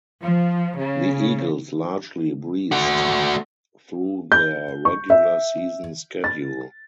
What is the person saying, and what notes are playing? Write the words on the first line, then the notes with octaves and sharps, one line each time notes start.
The Eagles largely breezed through their regular season schedule.
F3
C#3
A3 F#4
G6
C#6
E5
A6